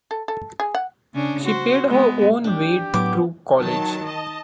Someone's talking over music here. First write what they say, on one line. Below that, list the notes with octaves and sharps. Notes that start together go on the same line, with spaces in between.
She paid her own way through college.
A4
A4
G#4
F#5
C#3 C#4 D4
F#4 C5
G#3 B3
D4 G4
A2 F#3 B3 D6
D#3 F#3 A5
D#5 A5